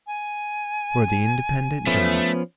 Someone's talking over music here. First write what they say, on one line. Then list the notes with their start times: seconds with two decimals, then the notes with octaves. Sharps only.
For the Independent Journal.
0.07 G#5
1.87 F3 A3 B3 C#4